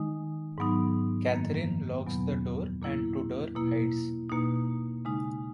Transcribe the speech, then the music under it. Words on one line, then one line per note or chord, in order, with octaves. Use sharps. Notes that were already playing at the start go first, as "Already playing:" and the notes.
Catherine locks the door and Tudor hides.
Already playing: D#3 G#3 D#4
G#2 F#3 B3 D#4
F#2 D#3 A#3
E2 B2 F#3 B3
A#2 A#3 E4
B2 A#3 E4
B2 A#3 D#4
C#3 G#3 D#4